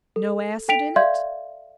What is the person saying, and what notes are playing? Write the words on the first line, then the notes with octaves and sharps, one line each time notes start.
"No acid in it?"
A4
A4 G5 B6 D7 F7
D5 E5 F5 C6 G6 G#6